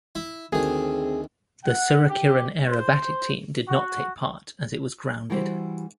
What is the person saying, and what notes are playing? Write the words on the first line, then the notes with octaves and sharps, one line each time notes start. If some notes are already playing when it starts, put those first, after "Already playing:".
The Suryakiran aerobatic team did not take part as it was grounded.
E4
D2 D#3 C4 G#4
F#5
G4
C5
F#4
E3 G3 E4 F#4 G4 C5